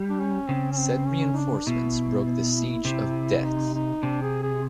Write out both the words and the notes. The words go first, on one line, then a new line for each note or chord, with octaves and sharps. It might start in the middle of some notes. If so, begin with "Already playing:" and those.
Said reinforcements broke the siege of Daet.
Already playing: G3
D4
C#4
C#3 C4
C#4
C4
C#4
D#4
D4
B2 E4
C3
D#4
D#4
C3 D4
G#4
G#4